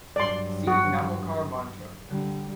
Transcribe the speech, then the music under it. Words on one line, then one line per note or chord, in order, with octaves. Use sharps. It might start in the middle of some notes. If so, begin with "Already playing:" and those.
See Namokar Mantra.
G2 F#3 D5 C6
F#4
D3 G3